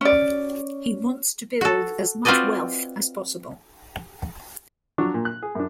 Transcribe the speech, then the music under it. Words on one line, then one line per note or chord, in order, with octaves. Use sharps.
He wants to build as much wealth as possible.
C#4 D5
F#4 A4
C4 F4 F#4 B4 D5 D#5
F3 F#3 D4 C#6
A#2
F#6
G#4
F#2 D4